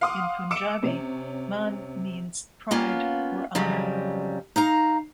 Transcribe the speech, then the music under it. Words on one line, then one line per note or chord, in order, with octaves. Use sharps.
In Punjabi, "Mann" means "pride" or "honour".
F5 F#5 C6 D6 D#6
D6 E6 C#7 D7 E7
C3 C#4
A#3 B3 C#4 F4
F2 C#3 F#3 G3
D#4 F5 A#5